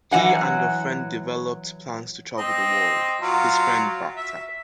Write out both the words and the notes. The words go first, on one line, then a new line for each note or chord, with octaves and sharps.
He and a friend developed plans to travel the world; his friend backed out.
E3 F#3 F#5 G#5
C4 D#5
F#3 F4
E5